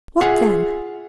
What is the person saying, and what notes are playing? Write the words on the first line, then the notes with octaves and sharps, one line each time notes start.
"What then?"
F4 G#4 E5 F#5